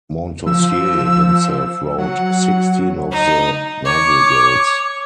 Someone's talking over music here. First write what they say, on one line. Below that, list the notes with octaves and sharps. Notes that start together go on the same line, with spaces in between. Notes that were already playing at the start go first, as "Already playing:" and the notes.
Montausier himself wrote sixteen of the madrigals.
F3 E6
F#3 F#5
D#4
C#5 D6